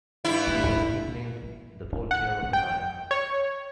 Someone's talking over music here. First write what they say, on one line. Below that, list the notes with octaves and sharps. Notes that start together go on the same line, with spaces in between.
He was nicknamed "The Voltaire of the Nile".
G2 E4
F#5
G5
C#5